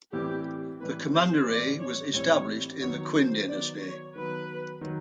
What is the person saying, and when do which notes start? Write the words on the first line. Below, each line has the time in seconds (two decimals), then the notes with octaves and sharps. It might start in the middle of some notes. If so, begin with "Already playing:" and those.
The commandery was established in the Qin dynasty.
0.13 A2 E3 G3 C4 E4 G4
0.80 A2 E3 G3 C4 E4 B4
1.13 C5
1.47 A2 E3 G3 C4 E4 D5
1.81 C#5
2.13 A2 E3 G3 C4 E4 C#5
2.81 D#3 F#3 B3 C#5
3.15 C5
3.47 D#3 F#3 B3 D5
3.81 C#5
4.15 D#3 F#3 B3 B4
4.81 D#3 F#3